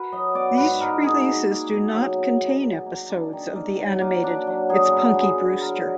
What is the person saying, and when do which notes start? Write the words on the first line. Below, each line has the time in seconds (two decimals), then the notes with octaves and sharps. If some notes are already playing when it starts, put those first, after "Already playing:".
These releases do not contain episodes of the animated "It's Punky Brewster".
Already playing: F#4 A#4 B4
0.12 F#3 D#5
0.35 B3 D5
0.57 G#2 B4
0.81 G#2 A#4
1.04 B2 G#4
1.26 A#3
1.49 A#3
1.72 B2
1.95 F#3
2.18 B2
2.40 B2
2.64 B2
2.86 A#3
3.10 D4
3.33 D#3
3.56 A#3
3.78 F#3
4.01 A#3
4.24 D4
4.47 F#3
4.69 F#3 G#4
4.92 B3
5.15 D3 G#4
5.39 D4
5.61 F#3 A#4